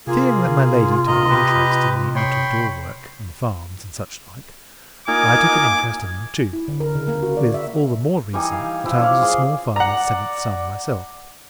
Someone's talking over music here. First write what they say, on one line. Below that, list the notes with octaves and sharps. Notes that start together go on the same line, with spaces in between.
Seeing that my lady took an interest in the out-of-door work, and the farms, and such like, I took an interest in them too--with all the more reason that I was a small farmer's seventh son myself.
C3 A#3 F4 G#4
D2 D#3 D#5 A#5
G4 B4
C#5 G5 B5 C6
A#3 D#4 F4 G#5 D6
E4
D3
A#4
C#3
A#3
F#4
D5
E5
E3 G3 D#4 G#5
F5
F3 E4 E5
C#5 D5 F5
G#4 D5 C6
D5 F#5 A#5